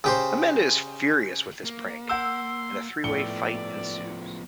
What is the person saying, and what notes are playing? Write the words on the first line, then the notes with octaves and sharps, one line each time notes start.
Amanda is furious with this prank, and a three-way fight ensues.
C#3 G4 C5
A#3
F#5 C6 E6 G6 E7
A2 F3 B3 D5 C#7 G7